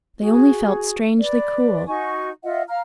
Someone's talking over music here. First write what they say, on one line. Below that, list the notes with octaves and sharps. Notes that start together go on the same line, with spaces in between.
They only felt strangely cool!
F#4 G#4
B4 D5
D#4 F#4 G#5 C#6
F4 D#5 E5 F#5
F5 A#5 F6